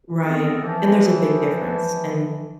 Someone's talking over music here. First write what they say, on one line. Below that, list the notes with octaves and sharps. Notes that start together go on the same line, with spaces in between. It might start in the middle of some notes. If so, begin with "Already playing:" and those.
Right, and there's a big difference, and
G#3 B3 C4 A4 A#4
E3 F3